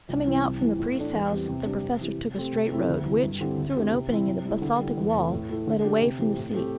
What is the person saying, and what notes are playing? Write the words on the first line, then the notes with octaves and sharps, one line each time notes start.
Coming out from the priest's house, the Professor took a straight road, which, through an opening in the basaltic wall, led away from the sea.
C2
C3 E3 C4 E4
C2
C3 E3
A2
E3 A3 D4
E2
E3 G3 C4 G4
C3
G3 D4 G4
C3
E3 C4 G4
C3
A3 C4 G4
C3
A3 C4 E4 G4
D2
C3 E3
G2
D3 C4 E4 G4
D2
D3 C4 E4 G4
C3
E3 C4 E4
C3
G3 E4
D3
G3 E4
E2
C3 A3
A2
A3 E4
D3
A3 D4 G4
C3
E3 C4 G4
A2
A3 C4 G4